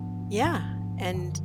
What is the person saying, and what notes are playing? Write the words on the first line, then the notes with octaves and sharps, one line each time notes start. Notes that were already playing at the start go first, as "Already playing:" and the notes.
yeah, and
Already playing: G#2 F3 B3 D4
G#2 F3 B3 D4
F#2 D3 F3